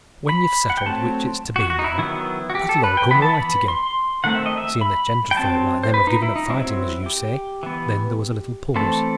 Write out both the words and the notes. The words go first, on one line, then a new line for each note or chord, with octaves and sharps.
"When you've settled which it's to be, ma'am, that'll all come right again,--seeing that gentlefolks like them have given up fighting, as you say." Then there was a little pause.
B5
F#5
G5
F#3 A3 C4 A5
F#4
F#4
D#4
E4
D#3 F#3 B3 E4
F#4
G4
A4
B4
G5
E3 B3 B5
A5
B5
C6
D#3 A3 C4 F#5
E5
D#5
E5
B5
G5
F#3 C4 A5
C5
B4
D#4
E4
D#4
F#3 C4 E4
G4
E3 B3
E3 A3 C4 A4